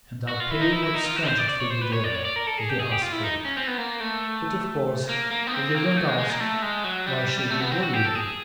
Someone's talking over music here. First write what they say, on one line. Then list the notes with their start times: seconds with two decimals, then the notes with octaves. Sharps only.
And I'll pay what's wanted for you there, if they ask for it. But, of course, if they don't ask, why should we worry them?
0.29 F#4
0.40 F4
0.51 E4
0.61 D#4
0.72 E4
0.83 E4
0.94 D#4
1.05 F4
1.16 F#4
1.27 C5
1.38 D5
1.49 D5
1.60 C#5
1.70 C5
1.81 B4
1.93 C#5
2.04 D5
2.15 C#5
2.25 D5
2.36 A#4
2.47 A4
2.58 G#4
2.69 G4
2.80 G#4
2.91 G4
3.02 F4
3.12 E4
3.24 D#4
3.45 C#4
3.57 C4
3.67 B3
3.78 A#3
4.00 A3
5.09 A#3
5.31 A#3
5.47 B3
5.53 C4
5.75 A#3
5.97 A3
6.08 G#3
6.19 G#3
6.29 A#3
6.40 A3
6.62 G#3
6.84 F#3
7.06 G3
7.28 G3
7.38 G3
7.50 A3
7.60 B3
7.71 C4
7.83 F#4
7.93 G4
8.05 A4
8.15 G#4